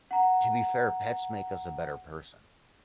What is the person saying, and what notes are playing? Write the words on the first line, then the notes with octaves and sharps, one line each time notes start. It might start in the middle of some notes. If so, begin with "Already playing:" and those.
To be fair, pets make us a better person.
F#5 A#5